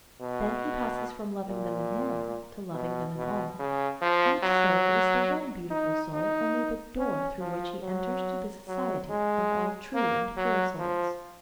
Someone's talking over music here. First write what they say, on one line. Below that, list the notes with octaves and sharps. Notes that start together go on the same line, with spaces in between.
Then he passes from loving them in one to loving them in all, and so is the one beautiful soul only the door through which he enters to the society of all true and pure souls.
B2
A#2
B2
B2
C#3
F3
F#3
D#4
D#4
C#4
F3
F#3
F#3
G#3
A#3
F#3
F3